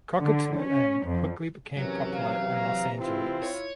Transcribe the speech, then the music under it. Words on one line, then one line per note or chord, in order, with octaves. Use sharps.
Cockatoo Inn quickly became popular in Los Angeles.
D3
C#4
F2
C3 E3 F#3 C#4 A#4
F5
A#5
C4 E4 F4
C#5